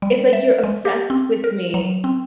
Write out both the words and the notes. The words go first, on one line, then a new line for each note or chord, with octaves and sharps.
It's like you're obsessed with me."
G3
E5
G#3
G4
C4
A#4
F#3
C4